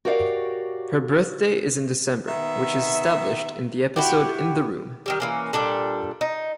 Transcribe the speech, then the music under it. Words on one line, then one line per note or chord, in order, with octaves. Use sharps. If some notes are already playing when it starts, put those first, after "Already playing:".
Her birthday is in December, which is established in the episode "In the Room".
F#4 G4 A#4 C#5 D5 F5
D#3 B3 E5
E4 F#4 G4
D#3 G3 G4
E3 A#3 C#4
A#2 G3 D4 A4
D#4